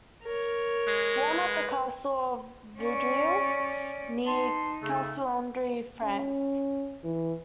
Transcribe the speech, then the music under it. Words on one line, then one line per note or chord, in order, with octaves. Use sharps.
Born at the Castle of Vaudreuil, near Castelnaudary, France.
A#4 C#5
G#3
B4
C#4 D5 C#6
D#4 A5 C6
C#3 A3
C#4
E3